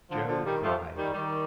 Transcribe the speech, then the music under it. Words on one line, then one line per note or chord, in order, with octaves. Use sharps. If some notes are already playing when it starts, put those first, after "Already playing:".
Joe cried.
D3 F3
D3 F3
D#3 G3
F3 A3
D#3 G3
D#3 G3